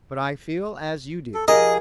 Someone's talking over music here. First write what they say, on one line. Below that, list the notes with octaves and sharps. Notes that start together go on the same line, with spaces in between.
But I feel as you do.
A4
F3 G4 G#4 A#4 D#5